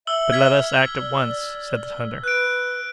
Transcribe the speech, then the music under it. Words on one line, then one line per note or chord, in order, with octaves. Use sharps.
"But let us act at once!" said the hunter.
E5 E6 F#7 G7
F6 G#6 B6
G7
D5
B4 F#6 D7